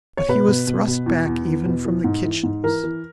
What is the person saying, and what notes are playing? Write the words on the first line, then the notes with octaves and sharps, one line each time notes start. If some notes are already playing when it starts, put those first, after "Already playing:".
But he was thrust back even from the kitchens.
C#5
B2 B4
B2
B2
B2
E2
E2
E2
B2
E3
G#2
E3
G#2
E3 A#4
E3